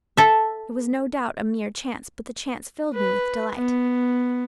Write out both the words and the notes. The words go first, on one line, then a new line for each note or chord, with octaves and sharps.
It was no doubt a mere chance, but the chance filled me with delight.
A4 E5
B4
B3